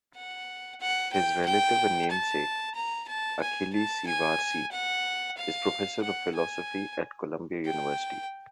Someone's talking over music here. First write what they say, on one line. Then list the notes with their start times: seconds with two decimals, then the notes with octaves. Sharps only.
His relative and namesake, Achille C. Varzi, is Professor of Philosophy at Columbia University.
0.15 F#5
0.80 F#5
1.12 G5
1.45 G5
2.10 A5
2.75 A#5
3.08 A5
3.41 G#5
3.74 A5
4.07 G#5
4.71 F#5
5.37 F5
6.02 F#5
6.35 G#5
7.66 G5